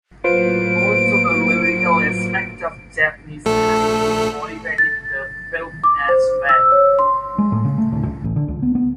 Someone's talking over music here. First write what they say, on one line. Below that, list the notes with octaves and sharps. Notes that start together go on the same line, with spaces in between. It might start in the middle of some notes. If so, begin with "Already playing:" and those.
Also the lyrical aspect of Japanese Haiku motivated the fim as well.
A2 F#3 A#3 F4 B4 C5 D7
A#1 A3 A4
A6
D6
C5
E6
C#5
C6
G#3
A2
C#3
A3
D1
C#2
A1
D3
C#2
B3
B3